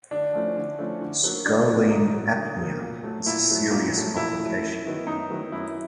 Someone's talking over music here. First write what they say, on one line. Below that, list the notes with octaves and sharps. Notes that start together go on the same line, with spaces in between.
"Scoline apnea" is a serious complication.
D3 D4
F3 A3 C#4 E4
D3
F3 A3 C#4 E4
D3
F#3 A#3
D3 D4
F#3
A#3
D3 D#4
F#3 A#3
D3
F#3 A#3
A#2
F#3 A3
A#2 E4
F#3 A3
A#2
F#3 A3
A#2 E4
F#3 A3
F#2
D#3 F#3 B3 E4
F#2 D#4
D#3 F#3 B3 E4
F#2 E4